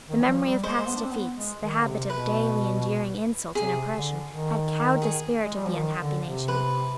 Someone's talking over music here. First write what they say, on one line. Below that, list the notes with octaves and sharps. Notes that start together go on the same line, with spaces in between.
The memory of past defeats, the habit of daily enduring insult and oppression, had cowed the spirit of the unhappy nation.
D#3
G3
F3
G3
G#3 C5
G#3
B3
D4
C4
B3
G#3
D#3
D3
C3
B2 B4
C3 G#4
D3
D#3
G#4
G#3
G3
F3
D#3
D3
C3
B4